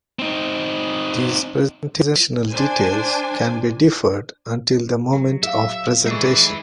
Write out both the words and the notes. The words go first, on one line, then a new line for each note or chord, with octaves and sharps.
These presentational details can be deferred until the moment of presentation.
C4 D#4
D4 C5 G#5
F#3
G#4 E5 F5
G#3 D#4 G#4 A4 B4 D5 E5 C#6